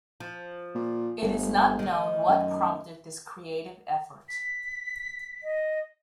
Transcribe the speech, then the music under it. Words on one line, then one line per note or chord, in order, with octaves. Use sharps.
It is not known what prompted this creative effort.
F3
A#2
G1
D2 D#3
F#2
B6
D#5